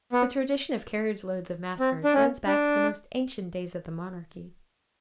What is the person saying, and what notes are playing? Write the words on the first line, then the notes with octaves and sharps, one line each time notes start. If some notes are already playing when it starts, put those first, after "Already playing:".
The tradition of carriage-loads of maskers runs back to the most ancient days of the monarchy.
B3
C4
D4
C#4
D4